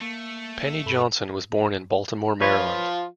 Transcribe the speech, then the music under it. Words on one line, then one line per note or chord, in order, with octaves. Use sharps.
Penny Johnson was born in Baltimore, Maryland.
A3 A#3
G2 A4 B5
F3 F4 B4 C#5